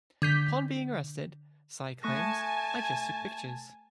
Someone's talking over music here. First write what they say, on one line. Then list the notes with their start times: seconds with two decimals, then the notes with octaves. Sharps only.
Upon being arrested, Sy claims, I just took pictures.
0.22 D3 G6 B6
2.03 A3 G#5 A5 C#6 A#6